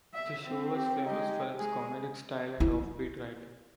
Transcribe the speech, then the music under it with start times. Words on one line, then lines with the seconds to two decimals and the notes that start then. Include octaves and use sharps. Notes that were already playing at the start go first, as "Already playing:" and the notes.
The show was famous for its comedic style and offbeat writing.
0.14 E5
0.46 C4
0.75 G4
1.06 G#3 D#4 G4
1.59 G#3 G#4
2.60 E4